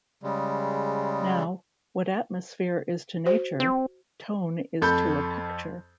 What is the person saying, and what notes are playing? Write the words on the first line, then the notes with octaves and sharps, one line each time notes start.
Now, what atmosphere is to Nature, tone is to a picture.
C#3 G3 G#3
F#4 C5
C4
F2 A4 B5 G6